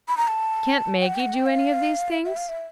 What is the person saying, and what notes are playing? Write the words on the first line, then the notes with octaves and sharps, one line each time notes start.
"Can't Maggie do any of these things?"
B5
A#5
A5
G5
F#5
G5
F#5
G5
F5
E5
F5
E5